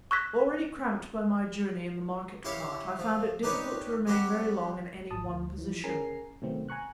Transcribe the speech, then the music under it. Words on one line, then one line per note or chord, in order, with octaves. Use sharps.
Already cramped by my journey in the market-cart, I found it difficult to remain very long in any one position.
C#6 E6 F#6 G#6 A#6 B6
E4 G4 C#5 F5
F3
D4 D#4 G4 B4 C#5 D#5
G3 C4 F#4 G4
G#1 A5 D#6
D2
E3 F3
C#4 G#4 A#4 G#5 A#5 C7
C3 D#3 F#3 A3 B3 C4
G#5 A#5 C#6 F#6